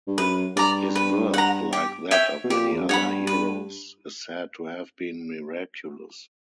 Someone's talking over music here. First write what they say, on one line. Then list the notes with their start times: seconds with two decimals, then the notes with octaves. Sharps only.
His birth, like that of many other heroes, is said to have been miraculous.
0.07 G2
0.18 F#2 B4
0.56 G2 D5 A#5
0.96 B4
1.34 F#5 A#5
1.73 G4
2.11 C#5 E5 G5
2.44 B2
2.50 A#2 G4
2.72 E2
2.81 F#2
2.89 G2 C#5 F#5 B5
3.27 B4